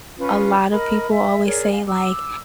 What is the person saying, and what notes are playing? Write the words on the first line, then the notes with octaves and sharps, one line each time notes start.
a lotta people always say, like
C#4 F4 B4
A#4 D#5 B5
E5
G#4 A#4 C#5 D5
F5 G#5
D6 E6